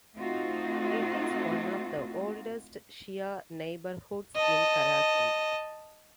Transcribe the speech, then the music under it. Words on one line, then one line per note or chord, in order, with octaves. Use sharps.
It is one of the oldest Shia neighbourhoods in Karachi.
A3 C4 D#4 F4 F#4
D#5 A5